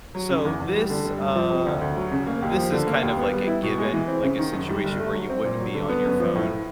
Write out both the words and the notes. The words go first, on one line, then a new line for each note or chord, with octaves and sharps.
So, this, uh, uh, this is kind of like a given, like a situation where you wouldn't be on your phone,
F#3
C#3
E2
E2
G3
D3
G2
G2
F3
C3
D2
D2
F#3
C#3
A#3
D#2
F3
D3
A#3
D#2
B3
G3
E4
B2
G#3
E3
C4
C#3
D#3
F#2
G3
G1
A3
F#3
C4
A#2
F#3
D3
B3
F#2
F3
A2